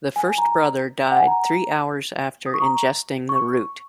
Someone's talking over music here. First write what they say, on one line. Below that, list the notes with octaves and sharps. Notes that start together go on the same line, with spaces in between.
The first brother died three hours after ingesting the root.
G#5
G#5
A#5
F#5
G#5
A#5
D#6
C#6
A#5
C#6